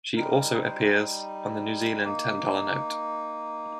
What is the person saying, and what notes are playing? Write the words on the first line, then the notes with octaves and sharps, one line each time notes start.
She also appears on the New Zealand ten-dollar note.
G3 D#4 A#4
C5
A#3 D#4